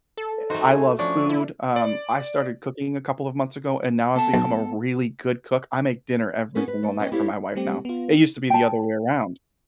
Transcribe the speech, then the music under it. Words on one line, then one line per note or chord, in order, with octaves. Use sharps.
eh, I love food, um, I started cooking a couple of months ago, and now I've become a really good cook. I make dinner every single night for my wife now. It used to be the other way around.
A4
A3 D#4 F#4 C5
G#5
F3 C#4 D4 D5 C#6
E4
D5
B3 A4 A5
B1
B3 C#4 A#4 B4
B4
A3
A#3 C#4 B4 D#5 G5
E4 G4 A4 C#5 F5
G3 A3 C4 G4
B3 F4
G5 A5